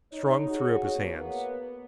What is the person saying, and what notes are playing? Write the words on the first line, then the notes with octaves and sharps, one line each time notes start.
Strong threw up his hands.
D#4 C#5
F#4 G#4
A#3 B3